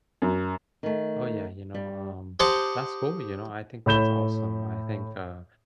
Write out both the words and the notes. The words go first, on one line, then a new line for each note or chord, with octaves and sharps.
Oh, yeah, you know, um, that's cool, you know, I think that's awesome, I think, uh,
F#2
D#3 A3
G3
G4 C5 D#5 F#5 A5
A2 C#5 B5 G6 E7 G7